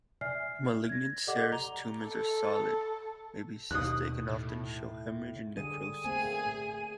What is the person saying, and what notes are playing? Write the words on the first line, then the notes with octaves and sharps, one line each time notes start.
"Malignant" serous tumours are solid, may be cystic and often show haemorrhage and necrosis.
D5 E5 G#5 F6 C7
G#6 A#6
G4 A4 D5 D#5 F#5 D6
A#5 F7 G7
A4
D#2 B2 D#6 F#6
A2
D3 G3 G#4 D#7
A3 A#3 C4 G#4 G#5